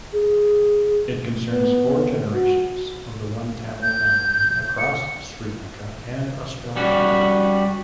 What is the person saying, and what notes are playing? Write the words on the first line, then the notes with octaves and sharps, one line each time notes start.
It concerns four generations of the one Tamil family across Sri Lanka and Australia.
G#4
B3
F#4
G6
C#7
G3 C#4 F#4